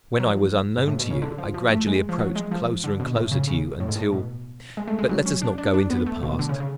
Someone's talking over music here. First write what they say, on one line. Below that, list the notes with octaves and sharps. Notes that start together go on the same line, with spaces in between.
When I was unknown to you, I gradually approached closer and closer to you until--but let us not go into the past.
F#3
F3
G#2
A2
B2
C#3
D3
F3
F3
A3
G#3
F3
F#3
G#3
F3
D3
B2
A2
C#3
C#3
A2
G#2
A2
B2
G#3
A3
G#3
F#3
C#4
D4
D4
D4
B3
A3
B2
D3
C#3
C#3